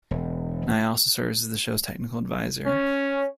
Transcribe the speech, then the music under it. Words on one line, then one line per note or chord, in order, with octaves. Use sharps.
Nye also serves as the show's technical advisor.
E1
C#4